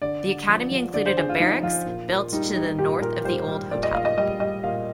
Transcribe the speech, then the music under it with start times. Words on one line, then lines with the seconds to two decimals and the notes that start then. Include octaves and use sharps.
The Academy included a barracks built to the north of the old hotel.
0.02 D3 D5
0.25 D3
0.49 F3
0.71 F3
0.94 D3 D5
1.06 C5
1.17 D3 G#4
1.29 F4
1.40 F3 D#4
1.63 F3 F4
1.86 A#2
2.09 A#2
2.32 G3 D#4
2.55 G3 D#4
2.79 A#2 G4
3.01 A#2 A#4
3.24 G3 C5
3.48 G3
3.71 A#2 D5
3.83 D#5
3.94 A#2 F5
4.05 D#5
4.18 G3 D#5
4.40 G3 D#5
4.64 A#2 F5